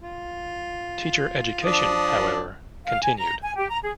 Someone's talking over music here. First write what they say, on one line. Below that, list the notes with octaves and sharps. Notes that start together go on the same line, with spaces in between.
Teacher education, however, continued.
F4
F3 D4 D#6
F5
G#5
A#5
G#5
G4
A#5
G#4